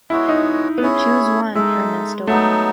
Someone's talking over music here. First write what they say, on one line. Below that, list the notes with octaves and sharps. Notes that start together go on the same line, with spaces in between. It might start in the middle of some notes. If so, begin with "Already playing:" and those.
Choose one, Ernesto.
G#3 B3 E4 F#4 C#5
D#4
B3
C#4 E4 G#4 C#5
G#3 D#4 A4 E5
F#3 A3 B3 D#4